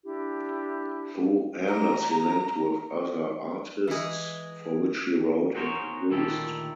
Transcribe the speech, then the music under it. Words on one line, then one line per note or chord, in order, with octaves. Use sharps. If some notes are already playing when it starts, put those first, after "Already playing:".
Through Anders he linked with other artists for which he wrote and produced.
D4 E4 G4
A#5
E3 G#3
F#4 G#4 A#4 C5 C#5
D2 A#2 D#3 E4 G4 A4